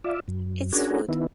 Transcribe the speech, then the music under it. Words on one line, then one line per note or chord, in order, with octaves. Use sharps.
It’s food.
F4 D5 E5
F#2
C#4 D4 F#4 G#4 A#4
D#3 B3 E4